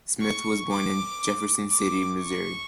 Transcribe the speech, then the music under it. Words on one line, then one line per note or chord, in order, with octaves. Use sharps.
Smith was born in Jefferson City, Missouri.
C#6
D6
D6
C#6